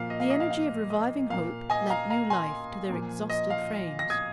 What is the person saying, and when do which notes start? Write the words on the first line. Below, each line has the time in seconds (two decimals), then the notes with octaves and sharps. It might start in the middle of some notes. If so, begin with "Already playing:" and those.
The energy of reviving hope lent new life to their exhausted frames.
Already playing: A#2 F3 A#3 F5
0.10 D#5
0.20 F5
0.30 D#5
0.40 F5
0.50 F5
0.90 D#5
1.30 A#2 A#3 F5
1.70 D#5 G#5
1.90 F5 A#5
2.10 F5 A#5
2.30 G#5 C6
2.90 A#2 F3 A#3
3.30 D#5
3.50 F5
3.99 A#6
4.10 D#6 G#6